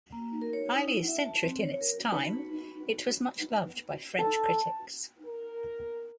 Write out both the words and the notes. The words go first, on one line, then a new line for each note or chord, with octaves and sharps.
Highly eccentric in its time, it was much loved by French critics.
A#3
A#4
C#5
D#4
E4
E5
A5
C4
C#5
A#4
B5 C#6
A4 A5
A#4